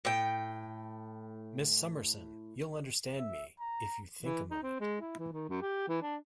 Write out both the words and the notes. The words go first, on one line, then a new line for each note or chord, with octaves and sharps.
Miss Summerson, you'll understand me, if you think a moment.
A2 G5
E5
A#5
E3
D#4
C4
G#3
E4
E3
D#3
F#2
G4
E3
D4